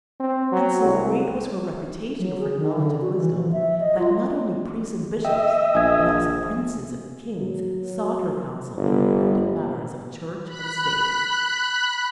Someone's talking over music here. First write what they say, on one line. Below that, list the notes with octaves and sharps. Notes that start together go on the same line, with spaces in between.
And so great was her reputation for knowledge and wisdom that not only priests and bishops, but also princes and kings sought her counsel in important matters of church and state.
C4
F#3
C2
F#3
G#4
D#3
D3
F#4
E3
F3
E5
D#5
F4
D#5 E5 G5
A#1 G#5 D#6 G#6
F#3
G1
B5 F#6